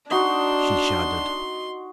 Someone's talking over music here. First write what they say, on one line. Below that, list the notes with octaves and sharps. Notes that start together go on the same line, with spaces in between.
She shuddered.
D4 D#4 F#4 C6